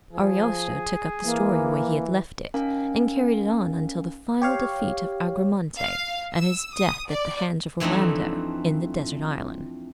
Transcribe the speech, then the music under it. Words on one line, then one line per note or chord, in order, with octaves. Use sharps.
Ariosto took up the story where he had left it, and carried it on until the final defeat of Agramante, and his death at the hands of Orlando in the desert island.
F3 G#4
E3 A#3
C#4 D#4 A#4 F5 G#5 A#5
G4 C#5 F5
F5
E6
D#6
D5
F2 E3 A3 C4 D4 D#4